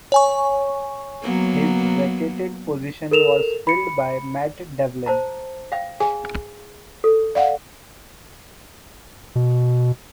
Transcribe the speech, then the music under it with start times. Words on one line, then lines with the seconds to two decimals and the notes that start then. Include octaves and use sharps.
His vacated position was filled by Matt Devlin.
0.12 C#5 G#5 C#6
1.22 F#3 A#3 B3
3.11 A4 A#4 E7 F7
3.67 B5 C#7
5.06 C5 A5 A#5
5.72 F5 G5
6.00 G#4 G#5
7.04 A4
7.35 D5 F5 F#5
9.35 B2